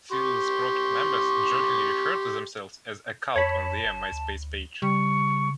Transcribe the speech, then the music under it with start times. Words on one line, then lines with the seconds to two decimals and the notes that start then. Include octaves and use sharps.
Silver Sprocket members jokingly refer to themselves as a cult on their Myspace page.
0.12 G4 C6 C#6
3.36 F2 C#5 A5 B5
3.84 G1
4.12 D2
4.82 C#3 G3 C#6